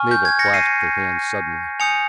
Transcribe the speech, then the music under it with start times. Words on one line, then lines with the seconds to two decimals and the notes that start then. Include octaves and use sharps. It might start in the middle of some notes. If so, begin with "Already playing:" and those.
Mabel clasped her hands suddenly.
Already playing: G#5 C#6 F6
0.11 G6
0.25 G#6
0.39 A#6 C#7
0.54 C7 D#7
1.80 G#5 D#6 G6 C#7 F7